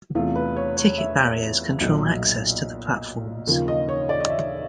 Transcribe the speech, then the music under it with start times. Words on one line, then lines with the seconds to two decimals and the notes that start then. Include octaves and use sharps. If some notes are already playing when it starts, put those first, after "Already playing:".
Ticket barriers control access to the platforms.
0.15 E2 C3 E3 A3 F4
0.36 B4
0.57 C#5
0.77 C#5
0.98 E5
1.81 B1 A#2 F#3
3.47 D#2 C#3 F3 A#3
3.68 D#5
3.89 C#5
4.09 D5
4.20 D#5
4.30 E5